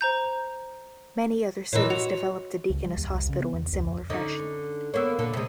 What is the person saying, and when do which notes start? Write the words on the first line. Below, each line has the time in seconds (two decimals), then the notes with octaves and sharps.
Many other cities developed a deaconess hospital in similar fashion.
0.01 C5 A#5 G6
1.73 A#2 E3 C#5 D#5
1.90 F#4 F7
2.70 C#2
2.82 G3
2.97 D#2
3.09 C2
3.29 C#3
3.41 B3
3.54 E2
3.73 C#2
3.86 F2
4.10 D3 C#4 D#4
4.94 A#3 B3 C#5 E6
5.19 A#2 D3 A#3 A4
5.33 C3 G#3